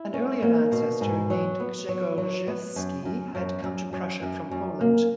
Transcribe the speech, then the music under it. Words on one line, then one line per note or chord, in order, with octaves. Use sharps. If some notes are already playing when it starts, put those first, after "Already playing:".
An earlier ancestor named Grzegorzewski had come to Prussia from Poland.
Already playing: E4
C#4
A#3
B2
G#2
F#3
B3
F#3
F#3
B3
F#2
F#2
F#2
F#2
F#2
F#2
F#2
A#3